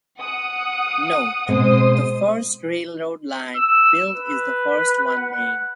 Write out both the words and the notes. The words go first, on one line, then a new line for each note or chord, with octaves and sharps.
Note: The first railroad line built is the first one named.
F#5 D#6
B2 G#3 C4 C5 D#6
E6
B4
F#5